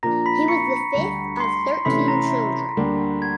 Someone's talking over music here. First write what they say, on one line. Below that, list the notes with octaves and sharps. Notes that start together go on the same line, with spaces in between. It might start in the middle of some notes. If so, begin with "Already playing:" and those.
He was the fifth of thirteen children.
A#2 F3 A#3 D4 A#5 A#6
B5 B6
C#6 C#7
D2 D3 G3
C6 C7
C3 E3 A3 C#4 B5 B6
A#5 A#6
D2 D3 G3 A#3 D4
G#6